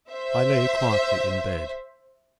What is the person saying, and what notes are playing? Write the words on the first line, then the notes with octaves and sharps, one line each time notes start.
I lay quietly in bed.
C5 E5